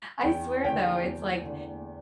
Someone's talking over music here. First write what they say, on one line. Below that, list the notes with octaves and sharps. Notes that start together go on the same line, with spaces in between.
I swear, though, it's, like
E2 G5
D3 G5
E2
D3